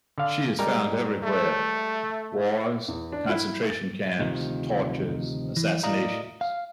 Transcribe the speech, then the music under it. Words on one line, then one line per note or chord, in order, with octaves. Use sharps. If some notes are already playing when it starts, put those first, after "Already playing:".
She is found everywhere: wars, concentration camps, tortures, assassinations.
D3 F5
G3 G#3 A#4
A3
E2
D4
E4
A6
D2 C3 D#3 F3
E3
A2 E4 D5 D#5 F5 A#5
F5